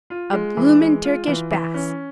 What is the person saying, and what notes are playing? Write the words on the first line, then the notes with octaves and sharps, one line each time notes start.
A bloomin' Turkish baths!
F4
G#3
E3
G#3
F4
E3
E3
C#4